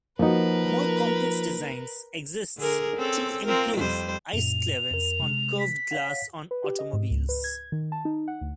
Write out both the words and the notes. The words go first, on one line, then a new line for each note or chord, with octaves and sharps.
More complex designs exists to improve ice clearance on curved glass on automobiles.
F3 A#3 D#4 F#4 A#4 B4
D3 G#4 A#4
C4 C#4 A4
C4 F4 A#4
F2 G3 C5
F#2 A#2 F7
F2 A#4
C3 G#3
B6
C#5 F5 F#5
B4
G4
D#5
G#2
C#2
B4
G#6
D#3
A5
D#4
F#5
D2